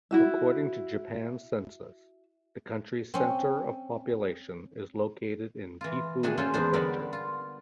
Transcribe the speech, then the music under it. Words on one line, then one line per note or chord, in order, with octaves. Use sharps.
According to Japan's census, the country's center of population is located in Gifu Prefecture.
E4 F#4 E5
C4 C#4
E3 F4
D#3 A3 D4 F#4 G#4
A#3 C#4 F4 A4 C5
E2 B3 D4 C5
D3 G3 B3 A#4 D5
F4